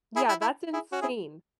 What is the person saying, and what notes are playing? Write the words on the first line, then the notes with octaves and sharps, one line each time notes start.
Yeah. That's insane.
E4 G#4
E4
E4
E4 G#4
C#4 F#4
E4 G#4